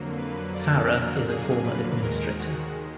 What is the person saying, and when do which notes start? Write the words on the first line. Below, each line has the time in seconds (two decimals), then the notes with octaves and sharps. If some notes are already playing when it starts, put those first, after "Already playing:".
Farrah is a former administrator.
Already playing: F2 D3 F#3 A#3
0.17 B4
0.55 D5
0.91 A#4
1.28 G#4
1.64 B4
2.02 D#2 D#3 G#3 A#4
2.39 F#4